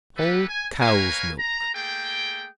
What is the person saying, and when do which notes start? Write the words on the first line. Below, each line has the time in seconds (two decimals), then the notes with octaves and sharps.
Whole cow's milk.
0.17 A3 A#3 G4 A4 B4
0.48 G#5
0.79 A#3 A#4 B4 C#5 F5 G#5
1.38 A#5
1.73 A3 A#3 G#4 G5